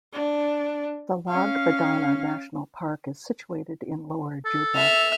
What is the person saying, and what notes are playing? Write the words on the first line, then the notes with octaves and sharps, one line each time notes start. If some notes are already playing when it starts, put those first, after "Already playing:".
The Lag Badana National Park is situated in Lower Juba.
D4
C#4 F5
A4
E5 F6